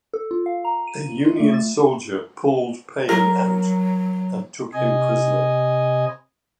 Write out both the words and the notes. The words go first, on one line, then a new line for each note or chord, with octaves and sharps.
A Union soldier pulled Payne out and took him prisoner.
A4
F4
F5
A#5
D#7
F4
A3
A6
F#3 A#4
C3 D#5 G#5